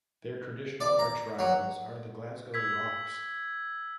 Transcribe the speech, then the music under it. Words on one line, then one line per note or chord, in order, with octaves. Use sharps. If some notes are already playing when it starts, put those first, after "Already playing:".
Their traditional arch rivals are the Glasgow Rocks.
D5
A#5
F#3
E6 G#6 B6